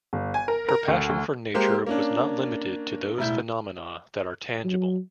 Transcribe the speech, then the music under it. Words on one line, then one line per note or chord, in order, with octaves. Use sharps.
Her passion for nature was not limited to those phenomena that are tangible.
G1
G#5
A#4
A#4
D2
D2
G#3 A#3 G4 A#4 C5
A#3 C#4 D4
E1 A2 E4 G6
F#3